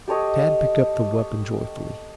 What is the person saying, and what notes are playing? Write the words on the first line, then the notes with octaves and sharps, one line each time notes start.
Tad picked up the weapon joyfully.
G4 A4 C#5 D#5